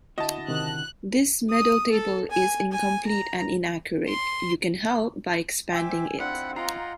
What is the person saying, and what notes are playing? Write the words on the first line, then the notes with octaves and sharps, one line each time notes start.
This medal table is incomplete and inaccurate; you can help by expanding it.
D3 E4 F#4 D#5 A5
C3 D#3 F#6
D#6
A4
G#5
G#5
A#5
C6
C5 E5 G5 G#5 D6 E6
C4 D4 E4 F4 F#5 B5
F4 D#5 F#5 G5 A#5 C7